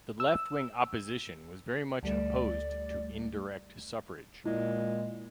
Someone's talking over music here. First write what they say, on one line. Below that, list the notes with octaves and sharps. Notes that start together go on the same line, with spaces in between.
The left wing opposition was very much opposed to indirect suffrage.
E6
D2 G3 A3 D5
A#2 G#3 E4